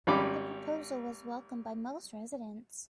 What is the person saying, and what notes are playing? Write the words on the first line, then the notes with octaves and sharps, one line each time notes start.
The proposal was welcomed by most residents.
G#1 G3 C#4 G4 B5 D6